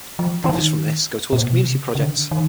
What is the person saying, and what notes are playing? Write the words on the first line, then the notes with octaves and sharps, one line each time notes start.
Profits from this go towards community projects.
F3
E3
D#3
A#2
B2
C3
C#3
C#3
D3
D#3